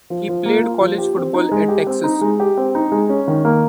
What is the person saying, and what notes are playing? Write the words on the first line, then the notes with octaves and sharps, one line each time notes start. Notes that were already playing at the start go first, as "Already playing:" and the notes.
He played college football at Texas.
F3
F3
A#3
F4
F3
G4
C4
D#4
G#3
G4
C4
D#4
G#3
G4
C4
D#4
G#3
C#4
D#3
A#3